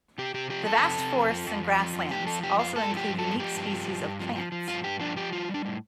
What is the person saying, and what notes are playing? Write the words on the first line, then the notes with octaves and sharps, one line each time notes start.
The vast forests and grasslands also include unique species of plants.
C3 G4
C3 G4
F3 G4
F2 A4
C3
C3
F2
F3
F2
F2
F3
F2
F2 G4
F3 A4
F2 G4
F2 F4
G2 A4
F3
G4
G2
A4
F3
F3 G4
G2
F3
G2
G2
F3
F3
F3
G2 F4
G2 G4
F3 D4
F3 G4
G3 F4
G3
D4
A2